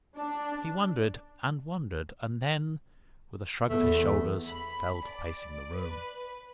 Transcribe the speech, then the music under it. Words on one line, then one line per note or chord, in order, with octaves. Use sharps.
He wondered and wondered, and then, with a shrug of his shoulders, fell to pacing the room.
D4
E2 A3
B5
D5
B4